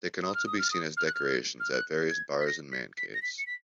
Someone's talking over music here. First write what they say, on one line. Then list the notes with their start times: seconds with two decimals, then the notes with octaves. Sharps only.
They can also be seen as decorations at various bars and man caves.
0.23 D#6
0.34 F6
0.47 D#6
0.59 F6
0.71 D#6
0.97 F6
1.07 F#6
1.15 F6
1.60 F6
1.72 F#6
2.10 G#6
2.41 B6
2.47 A#6
2.72 B6
2.97 B6
3.14 A#6
3.22 B6
3.38 C#7
3.47 B6